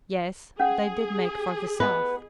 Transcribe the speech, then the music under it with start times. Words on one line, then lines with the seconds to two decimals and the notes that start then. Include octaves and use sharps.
Yes, they did make for the south!
0.60 C#4 G#4 F#5
1.80 B3 F4 B4 D#5